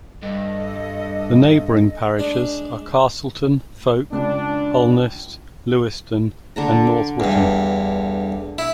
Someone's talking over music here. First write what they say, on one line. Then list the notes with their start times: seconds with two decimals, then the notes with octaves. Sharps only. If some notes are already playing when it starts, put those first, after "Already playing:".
The neighbouring parishes are Castleton, Folke, Holnest, Leweston, and North Wootton.
0.22 G2 A4 D#5
2.19 G#3 D4
4.12 C#2 D4
6.56 D3 A5 A#5
7.20 E2 G2
8.58 E4